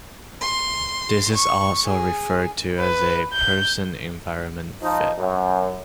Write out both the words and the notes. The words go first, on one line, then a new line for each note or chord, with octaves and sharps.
This is also referred to as a person-environment fit.
C6
C#6
G#4
B4
G6
F3 D#4
F#2